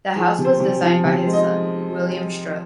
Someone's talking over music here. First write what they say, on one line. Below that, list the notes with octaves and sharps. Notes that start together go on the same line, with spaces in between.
The house was designed by his son, William Strutt.
F3 G#4
C3
C5
C3
F3
C3
G#3
D#5